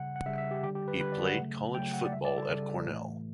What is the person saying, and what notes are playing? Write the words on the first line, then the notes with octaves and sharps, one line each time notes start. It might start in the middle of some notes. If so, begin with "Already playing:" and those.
He played college football at Cornell.
Already playing: C#3 G3 F#5
F#5
C#3 G3 E5
E5
G4
D3 G3 G4
G4
B4
D3 G3 B4
D5
F#5
C#3 F#3 A3
C#3 F#3 A3 G5
F#5
D5
C#3 G3 E5
D5
A4
C#3
G3
A2 E3 A3